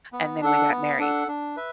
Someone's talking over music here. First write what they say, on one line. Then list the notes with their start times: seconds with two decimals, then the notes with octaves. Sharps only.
and then we got married.
0.13 B3
0.41 D4 A4 F#5
0.70 B3
0.99 D4 A4 F#5
1.28 D4
1.56 B4 E5